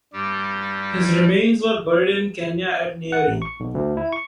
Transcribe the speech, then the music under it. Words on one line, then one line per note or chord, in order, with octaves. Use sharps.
His remains were buried in Kenya at Nyeri.
G2 G3 G4
F#5
A1
C#6
B1
D2
E4
C#6